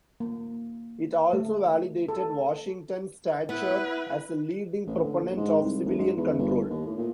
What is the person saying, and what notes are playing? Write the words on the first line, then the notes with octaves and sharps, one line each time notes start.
It also validated Washington's stature as a leading proponent of civilian control.
A#3
A3
A4
B3 E4 B4
A1
D3
A#1
G#2
C2
E1
G#2
E2
G1
D#2
A2
A#2